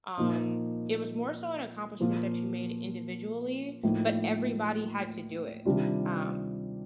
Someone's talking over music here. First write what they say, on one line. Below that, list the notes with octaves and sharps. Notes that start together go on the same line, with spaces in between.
Um, it was more so an accomplishment that you made individually, but everybody had to do it. Um,
A#2 F3 A#3 D#4
A#2 F3 A#3 F4
A2 F3 A#3 D#4
C3 D#3 G3 D4 F4